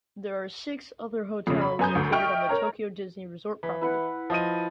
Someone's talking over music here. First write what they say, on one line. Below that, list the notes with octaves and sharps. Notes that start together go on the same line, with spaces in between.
There are six other hotels located on the Tokyo Disney Resort property.
F2 C#3
B5
F#2 B4 G#5 D#6 G6
D2
D#5 E5 G5 C#6 F6
A#4 C#5 A#5
E3 B5
E4 B4 F#5
F3 D#5 D#7